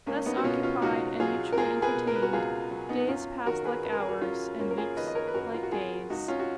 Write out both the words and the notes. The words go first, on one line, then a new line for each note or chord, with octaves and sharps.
Thus occupied, and mutually entertained, days passed like hours, and weeks like days.
C#2 A#3 C#4
B3 D#4
F#4
B2 C#4 F4
C#4 F4
C#2 D#4 F#4
F#3 F4 G#4
A#4
C#2 F4 G#4
G#4 B4
B2
A#4
B4
F#4 A#4
C#2 F4 G#4
F#3
B3 D#4
F#2 C#4 F4
D#3 F#4 A#4
G#4 B4
F#2 B4
A#4
G#4
F#4 A#4
F#3 C#4 F4
F#2 A#3 C#4
A#4
F4 G#4
D#3 B4 D#5
D#5
A#4 C#5
B4
F#2 F#4 A#4
F4
F#4
F#3 F4 G#4
C#2 D#4 F#4
C#4 F4
F#4